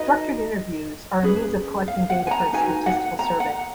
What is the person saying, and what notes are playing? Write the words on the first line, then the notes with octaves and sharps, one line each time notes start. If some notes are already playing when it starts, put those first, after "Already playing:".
Structured interviews are a means of collecting data for a statistical survey.
Already playing: D#4 F#4 B4 D#5
C#4 G#4 B4
F5
F#5
G#5
A#5
D#4 F#4 B4 G#5
F#5
A#5
F#5